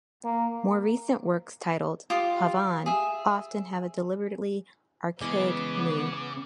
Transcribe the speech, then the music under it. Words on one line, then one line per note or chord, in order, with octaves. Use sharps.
More recent works titled "pavane" often have a deliberately archaic mood.
A#3
F4 G4 C6 D#6
G#4 E5
C#3 E3 G#3 B3 C#4 D6